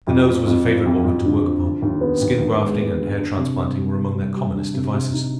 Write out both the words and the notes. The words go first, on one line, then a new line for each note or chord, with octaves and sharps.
The nose was a favorite organ to work upon. Skin-grafting and hair-transplanting were among their commonest devices.
F2
F3
F2
F3
F2
F2
D3
F3
D3
D#2
B3
D#2
D#2
G#3
B3
D3
D4
C3
G3
G3
C3
G3
G3
D4
C3
C3
D#4